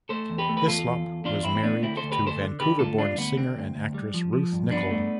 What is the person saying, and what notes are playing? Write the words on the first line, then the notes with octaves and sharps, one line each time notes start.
Hyslop was married to Vancouver-born singer and actress Ruth Nichol.
A3 A4 C5
E2
G4 B4
A3
B4
E2 F4 A4
E2
E2
E2 D4 F4
E2 C4 E4
C4
A3 B3 D4
D2 C4 E4
A4 C5
D2
G4 B4
D2
A4 C5
D3
D3 G4 B4
D2 F4 A4
G3 D4 F4
D2 B3
D3 C4
D2
D2
G3
F3
F3
G2
G2 B3 D4
A3